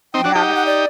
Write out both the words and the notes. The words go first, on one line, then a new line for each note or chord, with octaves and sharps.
You haven't?
C4 D#4 G5
D4 F#4
D#4 G4
F#5
F#5
D5